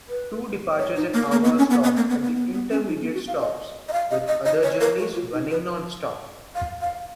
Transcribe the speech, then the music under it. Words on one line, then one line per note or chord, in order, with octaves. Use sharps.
Two departures an hour stop at the intermediate stops, with other journeys running non-stop.
B4
C#5
D#4
A#3
A#3
B3
C#4
B3
B3
A#3
B3
B3
B3
B3
C#4
D#4
B3
F#4
F5
D#5
D#5
F5
D#5
D#5
D#5
C#5
A#4
F#4
F4
D#4
B4
F5
F5